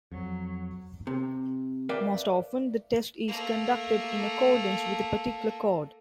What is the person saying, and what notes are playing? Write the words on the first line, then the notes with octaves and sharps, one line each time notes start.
Most often, the test is conducted in accordance with a particular code.
F2 F#3
C3
A#4 B4 D5 E5 F5 G5
A3 A#3